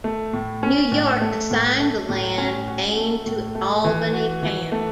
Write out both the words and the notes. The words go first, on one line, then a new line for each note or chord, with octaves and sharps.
New York assigned the land gained to Albany County.
A3
A2
C#4
A2
A3
A2
A3
A2
C#4
F#4
A3
A2
A3
E3
F#4
E3
A3